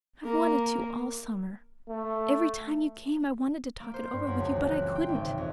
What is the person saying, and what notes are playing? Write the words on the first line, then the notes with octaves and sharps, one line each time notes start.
I've wanted to all summer--every time you came. I wanted to talk it over with you--but I COULDN'T.
A#3
A3
A#3
C5
G2
F#2
C#2
E3
F#6
C4
G5
G#1
C3
F2